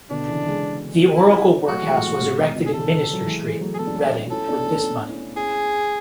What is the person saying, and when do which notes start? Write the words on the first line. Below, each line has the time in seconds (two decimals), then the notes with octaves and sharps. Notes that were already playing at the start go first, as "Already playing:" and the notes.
The Oracle workhouse, was erected in Minster Street, Reading with this money.
0.10 B2 D3 D4
0.28 C#3 E3
0.46 E3 G#3
1.16 E4
1.68 F#3 A3 F#4
1.81 E3 G#3
1.94 A2
2.08 A2
2.21 G#2 B2
2.38 G#2 B2
2.55 B2 D3
2.65 G#4
2.73 C#3 E3 A4
3.13 F#3
3.26 E3 G#3
3.43 E3 G#3
3.61 F#3 A3
3.74 G#4
3.78 G#3 B3 A4
3.87 D4
3.96 A3 C#4
4.26 F#4
4.31 C#4 E4 A4
4.48 B3 D4
4.66 A3 C#4
4.83 B3 D4
5.09 C#4 E4
5.36 C#4 E4 G#4